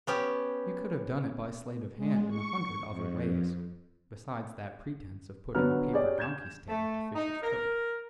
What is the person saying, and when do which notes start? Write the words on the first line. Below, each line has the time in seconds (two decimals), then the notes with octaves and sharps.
You could have done it by sleight of hand in a hundred other ways besides that pretence of putting a paper donkey's tail to Fischer's coat.
0.07 B3 C#4 G4
1.96 G#3
2.28 C#6
2.86 F2
5.55 D3 F#3 B3 D4 A#5 F6
5.93 G4 G#4 C#5 D5
6.19 G6 G#6 E7
6.69 A3
7.16 D#4
7.43 A#4